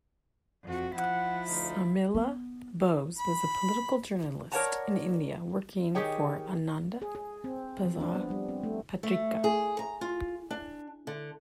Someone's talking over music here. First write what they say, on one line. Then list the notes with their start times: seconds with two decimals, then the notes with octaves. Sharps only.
Sarmila Bose was a political journalist in India, working for Ananda Bazar Patrika.
0.64 F2 F#4
0.95 F3 E4 F#5
1.47 D2 D#4 F4
2.15 B3
3.19 B5
4.52 A#4 C#5 D5 F#5 A5 A#5
5.95 D#3 G4 G#4 C#5 G5
7.02 G#4
7.15 G#4
7.44 C4
7.85 F3
8.01 D4
8.15 B3
8.30 G3
8.49 C4
8.63 A3
9.03 A3
9.44 G#4
9.79 A#5
10.01 F4
10.51 D4
11.07 D3